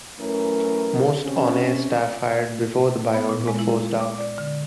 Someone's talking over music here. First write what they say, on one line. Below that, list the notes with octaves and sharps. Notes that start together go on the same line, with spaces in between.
Most on-air staff hired before the buyout were forced out.
E3 F#3 A3 C#4 A#4
C3 C4 C#4
B3
A#2
G#3
E4
D6
D5
D3